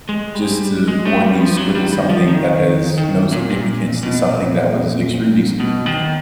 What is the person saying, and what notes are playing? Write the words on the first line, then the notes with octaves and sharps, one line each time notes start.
just to boredly scribble something that has no significance to something that was extremely significant,
G#3
G3
G#3
A3
G3
F3
F#3
G3
D#3
F3
D#3
D#3
A#2
A#2
B2
A#2
B2
D#3